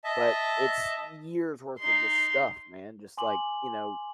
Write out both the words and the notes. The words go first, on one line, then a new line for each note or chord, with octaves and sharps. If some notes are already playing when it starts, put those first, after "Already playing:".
but it's years worth of just stuff, man, just like, you know,
D#5 E5 A5
D#4 C6
G#5 C6 D6 F#7